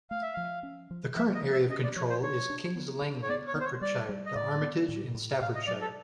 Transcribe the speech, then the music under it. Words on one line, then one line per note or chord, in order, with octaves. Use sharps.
The current area of control is Kings Langley, Hertfordshire to Armitage in Staffordshire.
A3 F5
E5
F3 F5
C#4
F3
F3 E5
D#5
F3
E5
C#4 D#5
D5
F3 C#5
C5
D4 C#5
D4
B3
D4
C#5
B3 D5
C#5
B3
C5
C#5
G3 D5
G3
D#5
A2 D5
B3
A2
A2
A2 F5
D#5
F#3 D5
A4